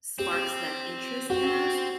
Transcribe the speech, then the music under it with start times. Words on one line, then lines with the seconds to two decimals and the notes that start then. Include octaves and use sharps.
sparks that interest in us,
0.19 C4 G4
1.30 C4 F#4